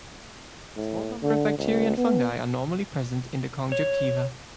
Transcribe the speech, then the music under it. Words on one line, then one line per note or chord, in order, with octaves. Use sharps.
A small number of bacteria and fungi are normally present in the conjunctiva.
A2
D3
C#2
B3
C#5